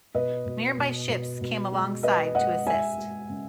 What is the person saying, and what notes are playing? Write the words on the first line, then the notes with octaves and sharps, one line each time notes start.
Nearby ships came alongside to assist.
B2 B4 D#5
B2
B2
B2
B2
G#3
G#3 B4 D#5
G#3 D#5 F#5
G#3 E5 G#5
G#3
C#3